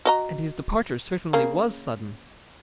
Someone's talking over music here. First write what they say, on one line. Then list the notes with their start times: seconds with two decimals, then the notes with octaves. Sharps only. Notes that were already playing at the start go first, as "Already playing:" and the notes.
And his departure certainly was sudden.
0.05 F#4 D#5 A#5
1.33 C#3 A#3